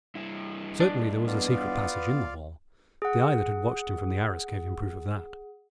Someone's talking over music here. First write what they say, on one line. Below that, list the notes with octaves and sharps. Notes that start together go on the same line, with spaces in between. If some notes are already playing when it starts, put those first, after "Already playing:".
Certainly there was a secret passage in the hall; the eye that had watched him from the arras gave him proof of that.
G2 E4
D4
B3 F4 D5 F5
G#4 F#5